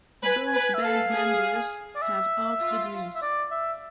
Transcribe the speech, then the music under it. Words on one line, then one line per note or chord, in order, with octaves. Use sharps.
Both band members have art degrees.
B4 G#5
G#5
B4
E5
A4 F5
G#4
D5
E5
F4
E5
D5
E5